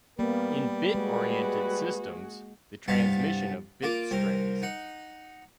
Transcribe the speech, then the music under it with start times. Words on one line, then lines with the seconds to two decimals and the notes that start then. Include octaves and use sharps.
In bit-oriented systems, the transmission of bit strings.
0.19 G3 A#3 B3
0.95 G#3 F#4 G#4 B4
2.88 C2 G2 B3 F5 A5
3.82 A#3 F4 D6
4.11 C2 C4 A#4
4.62 D#4 F#5